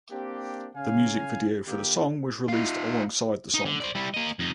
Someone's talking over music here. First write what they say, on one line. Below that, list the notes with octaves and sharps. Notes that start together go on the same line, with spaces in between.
The music video for the song was released alongside the song.
A#3 C4 D4 G4
C#3 F5 G#5
D3 A#3 F4 G4
D#4 F4
D#4
D3
C5 D5
G3 E4
A#3 D#5
F2 D#4